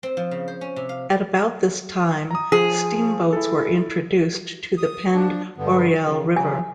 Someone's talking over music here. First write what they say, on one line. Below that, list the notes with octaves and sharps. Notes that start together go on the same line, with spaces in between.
At about this time, steamboats were introduced to the Pend Oreille River.
C4
F3
C#3
C5
C#4
C3
F5
A#5 D#6
F3 G#4
E4 A4
D#6
F3 D4
G2 D3 B3
C#3
C#3 F#3 G#5